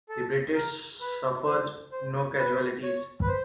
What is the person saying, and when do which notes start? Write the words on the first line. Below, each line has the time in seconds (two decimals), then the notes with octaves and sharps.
The British suffered no casualties.
0.09 A4
0.55 A#4
1.01 B4
1.46 C5
1.92 C5
2.37 B4
2.83 C#5
3.22 B4
3.28 C5